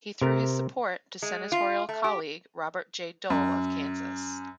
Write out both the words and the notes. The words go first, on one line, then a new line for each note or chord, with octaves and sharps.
He threw his support to senatorial colleague Robert J. Dole of Kansas.
C3 A#4
G#3
F4
A3
G4
F#2